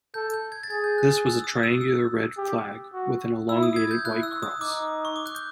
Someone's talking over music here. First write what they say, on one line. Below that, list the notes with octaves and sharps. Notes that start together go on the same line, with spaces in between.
This was a triangular red flag with an elongated white cross.
A4 G6
G6
G#6
A6
G#4 G#6
G6
F#6
E6
D#6
E6
E6
G4
F#4
E4 E6
D#6
G#6
G6
E4 F#6
E6
D#6
D#4 D6
C#6
D6
F#6
G6